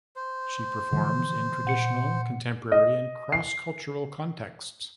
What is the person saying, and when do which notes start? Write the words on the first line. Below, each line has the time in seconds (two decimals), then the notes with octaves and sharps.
She performs in traditional, contemporary, and cross-cultural contexts.
0.16 C5
0.93 D3 E3 F3
1.65 A#2 F#5 C#7
2.72 D#5
3.32 C7